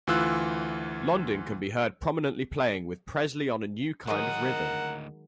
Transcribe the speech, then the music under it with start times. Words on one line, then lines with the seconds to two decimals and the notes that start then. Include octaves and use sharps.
Londin can be heard prominently playing with Presley on A New Kind Of Rhythm!
0.07 D2 E3 F4 E6 F#6
4.07 D2 D#3 F#3 G#3 A#4 D#5 F#5